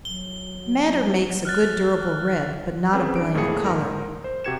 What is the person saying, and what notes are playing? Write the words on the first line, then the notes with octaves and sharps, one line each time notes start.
Madder makes a good durable red, but not a brilliant color.
F#3 G7
F6 F#6 A6
C4 C#4 G#4 B4
D4 D7
F2 A2 A3 A#3 G#4 C#7
G#2 A#4
C5
C3 F#4 G4 G#6 C#7 E7